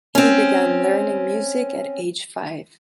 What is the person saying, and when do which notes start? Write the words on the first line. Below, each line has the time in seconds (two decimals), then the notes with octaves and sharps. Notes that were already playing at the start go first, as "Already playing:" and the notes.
He began learning music at age five.
0.15 C4 C#4